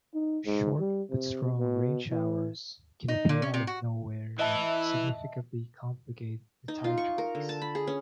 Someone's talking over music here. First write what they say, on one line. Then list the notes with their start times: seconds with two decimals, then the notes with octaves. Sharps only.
Short but strong rainshowers can appear out of nowhere and significantly complicate the tyre-choice.
0.14 D#4
0.46 G#2
0.80 G3
1.10 C3
1.58 B2
2.10 E3
3.08 D#4
3.29 A#2
3.42 C#4
3.54 C3
3.67 F#4
4.39 E3 E4 D#5 E5 A5
6.68 D#4
6.84 F4
6.98 C#6
7.18 A#4
7.35 D3
7.49 A5
7.62 B5
7.75 G#4
7.87 C#4